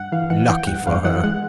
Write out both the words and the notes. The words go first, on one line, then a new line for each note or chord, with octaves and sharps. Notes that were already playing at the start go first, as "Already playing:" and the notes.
Lucky for her!
Already playing: G2 F#5
E3 F5
E3 F#5
E3 G5
G2 F#5
G2 F5
E3 F#5
G#3 F#5